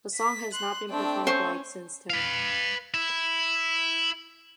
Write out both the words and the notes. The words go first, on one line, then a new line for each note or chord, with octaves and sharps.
The song has not been performed live since then.
B6
C6 F#6
A3 C4 D4 G5
C#4 C5 C#6
B4 F5
E4